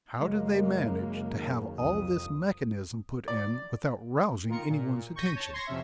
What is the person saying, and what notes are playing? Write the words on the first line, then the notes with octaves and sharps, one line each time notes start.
How did they manage to have all this mechanism put in without rousing any one's attention?
F#2 C#3 G#3 A#3
D#3
C2 F2 D#6
D5
D#3 F4 A#4 C#7
A#2
C#6 G6 A#6 B6 D#7
C#5 A5
C6 C#6 G#6 A#6
F2 C3 C#4 E5